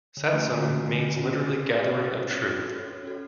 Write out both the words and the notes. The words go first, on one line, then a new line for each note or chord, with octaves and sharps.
Satsang means literally gathering of Truth.
D3
A3 C#4 F#4
D3
A3 C#4 F#4
D3
A3 C#4 F#4
D3
A3 C#4 F#4
C#4
F#4 A4 C#5
C#4
F#4 A4 C#5
C#4
F#4 A4 C#5
C#4
F#4 A4 C#5
C#4
F#4 A4 C#5
C#4
F#4 A4 C#5